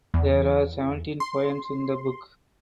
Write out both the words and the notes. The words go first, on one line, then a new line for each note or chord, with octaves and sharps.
There are seventeen "poems" in the book.
E2
C6